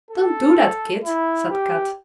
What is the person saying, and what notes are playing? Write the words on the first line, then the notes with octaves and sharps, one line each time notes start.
"Don't do that, Kit," said Kat.
A4
E4
G4